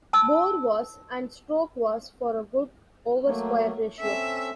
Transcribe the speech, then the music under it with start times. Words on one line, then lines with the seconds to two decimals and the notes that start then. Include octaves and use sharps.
Bore was and stroke was for a good oversquare ratio.
0.13 A5 E6
3.24 F#3 A3 A#3
4.00 C4 C#4 A4 E5